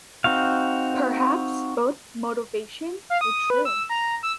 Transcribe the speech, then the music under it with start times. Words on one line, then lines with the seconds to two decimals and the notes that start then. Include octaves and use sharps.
Perhaps both motivations were true.
0.24 C4 D#4 F#4 F5
3.10 F5
3.21 D#6
3.50 B4
3.65 E6
3.90 A#5
4.23 E6